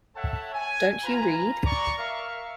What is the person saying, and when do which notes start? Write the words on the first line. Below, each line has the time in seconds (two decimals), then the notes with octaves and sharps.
Don't you read?
0.16 A4 C#5 E5 F#5 G5 A5
0.54 G#5
1.04 F4 B4 G#5 A#5
1.66 D5 A#5 C#6
1.98 A#4 E5 F5